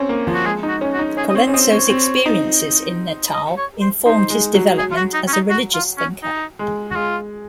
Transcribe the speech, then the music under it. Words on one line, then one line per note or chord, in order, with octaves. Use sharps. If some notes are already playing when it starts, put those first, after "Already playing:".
Colenso's experiences in Natal informed his development as a religious thinker.
Already playing: C4 C#4
A#3
F3
F#4
G#3 G#4
D#4
F#4
C#4
F#4
D#4
C#4 G#4
D#5
C4 C#5
C#4
C4 D#5
C4 C#5
C4
D#4
D#5
C#5
C5
D#4 C5
G#3
F#3
G#4
F4
F#4
D#4
C#4
D#4
F#4
F4
C#4
D#4
G#3
F#4
G#3 F4